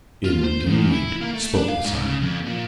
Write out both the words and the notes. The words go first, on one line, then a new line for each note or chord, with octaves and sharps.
'Indeed!' spoke the Sun.
F4
C5
E2
E4
A#3
A3
D4
F5
G#2
C#3
F2
A#2